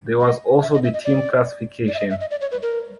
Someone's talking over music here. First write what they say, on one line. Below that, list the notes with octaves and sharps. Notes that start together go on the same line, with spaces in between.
There was also the team classification.
D#5
E5
D#5
E5
D#5
D5
D5
E5
D#5
E5
D#5
D5
C#5
B4
A#4